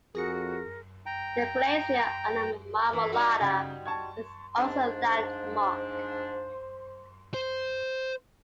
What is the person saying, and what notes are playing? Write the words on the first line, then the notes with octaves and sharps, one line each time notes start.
The glacier on the Marmolada is also a landmark.
F2 F#4 G#4 A#4 A#6 C#7
G5 A#5
E3
G3 D#4 F#4
C#3 G5 G#6
A5 C#6 G#6
G#2 F3 D4 C5
C5